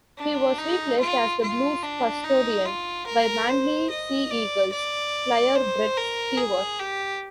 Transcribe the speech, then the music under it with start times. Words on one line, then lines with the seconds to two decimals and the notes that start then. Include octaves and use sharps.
He was replaced as the Blues custodian by Manly Sea Eagles flyer Brett Stewart.
0.18 D4
0.58 D#4
1.00 F4
1.41 F4
1.83 D4
2.24 D#4
2.65 F4
3.06 A#4
3.49 C5
3.90 D#5
4.31 D5
4.72 D5
5.55 C5
5.97 A#4
6.37 G#4
6.79 G4